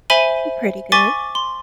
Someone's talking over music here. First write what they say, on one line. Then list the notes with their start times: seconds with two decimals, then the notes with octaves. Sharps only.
M pretty good.
0.10 C5 E5 G#5 B5 D#7 G7
0.92 G#5 C#6 D6 A6 B6 G7
1.35 C6